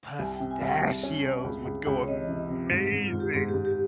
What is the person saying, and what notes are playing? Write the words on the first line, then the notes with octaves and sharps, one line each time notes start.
Pistachios would go amazing.
C2 G#5
G5
C3
G#5
C2
G5
C2
C#4
C3
C#2
C#2
C#2
C#5
C3 D#5
C3
C3
G#2
G#2
F4
G#2
G4
G#2 G#4
G4
G#2
G4